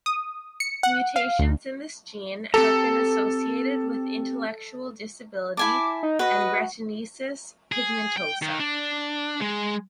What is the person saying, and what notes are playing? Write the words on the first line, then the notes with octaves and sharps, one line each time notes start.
Mutations in this gene have been associated with intellectual disability and retinitis pigmentosa.
D#6
C#7
F#5
F5
D2
C4 G4 A4 A#5
E4 G#5 A5 D6
D#4
F#4 B4 D#5
G#4
G5
D#3
D4
G#3